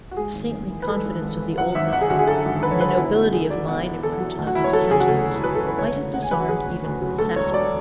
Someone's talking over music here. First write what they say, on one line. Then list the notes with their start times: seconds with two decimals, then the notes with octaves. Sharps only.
The saintly confidence of the old man, and the nobility of mind imprinted on his countenance, might have disarmed even an assassin.
0.11 F#4
0.17 G#2 G#4
0.35 G#1
0.52 G#1
0.70 E3
0.82 B4
0.88 G#2 A4
1.05 G#1
1.22 G#1
1.40 E3
1.57 F#2 F#5
1.75 G#1 E5
1.93 G#1 F#5
2.01 G#4
2.10 D3 F#4
2.19 G#4
2.27 F#2 A4
2.45 G#1
2.62 G#1 B4
2.71 C#5
2.80 D3 B4
2.89 F#4
2.97 B2 E4
3.15 E2 F#4
3.33 E2 G#4
3.50 F#3 D5
3.68 B2 F#5
3.86 E2
4.03 E2 A4
4.20 F#3
4.38 D2
4.47 F#4
4.55 E1 E4
4.64 C#5
4.73 F#3 A4
4.91 C#3 G#4
5.00 F#4
5.08 D2 A4
5.26 E1
5.44 F#3 B4
5.55 A4
5.61 C#3
5.67 B4
5.78 D3 C#5
5.96 D2
6.13 D2 F#5
6.22 G#5
6.31 F#3 B4
6.40 F#4
6.49 D3 G#4
6.66 D2
6.84 D2
7.01 F#3
7.18 D2 A4
7.36 E1 C#5
7.54 F#3 D5